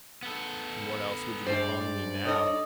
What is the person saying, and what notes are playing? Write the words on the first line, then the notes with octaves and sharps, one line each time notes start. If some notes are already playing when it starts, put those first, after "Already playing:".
"And what else would you be calling me now?"
B3 A4
G2 G#3 C5 D5
D#4 A4 C#5 D#5